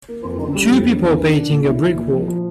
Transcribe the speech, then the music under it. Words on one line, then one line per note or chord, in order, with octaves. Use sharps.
Two people painting a brick wall.
A#3
F2
C#3
G3
F2
D3
E2
D3
D4
A#2
E4
E4
A#2
F3
F3